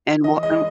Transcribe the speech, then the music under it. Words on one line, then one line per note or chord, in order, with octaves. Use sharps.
And what no
E3 D#5
G#3 D#5